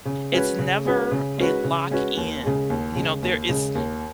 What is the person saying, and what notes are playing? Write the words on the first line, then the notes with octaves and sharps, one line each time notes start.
It's never a lock in, you know, there is
C#3
G#3 C#4 F#4 B4
C#3
G#3 C#4 F#4 B4
C#3
G#3 C#4 F#4 B4
C#3
G#3 C#4 F#4 B4
D#2
C#3 G#3
D#2
C#3 G#3
D#2
C#3 G#3
D#2